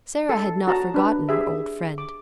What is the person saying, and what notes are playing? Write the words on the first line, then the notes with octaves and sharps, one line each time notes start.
Sara had not forgotten her old friend.
A4
F#4 A5 A#5
D4 B4
G4 G#4 E5
D6